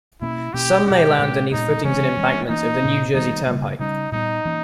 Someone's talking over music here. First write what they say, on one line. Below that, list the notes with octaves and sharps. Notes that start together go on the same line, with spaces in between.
Some may lie underneath footings and embankments of the New Jersey Turnpike.
B2 A#3 C#4 E4
B2 A#3 C#4 G4
B2 G#3 C#4 G4
A#2 G#3 C#4
A#2 G#3 B3 D#4
C#3 E3 G#3 C#4
E3 G#3 B3
E3 A#3 C#4 D#4
A#2 A#3 C#4
D#3 G3 B3 D#4
C#3 G3 A#3
C#3 G3 C#4 D#4
A#2 G3 B3 D#4
E3 A#3 C#4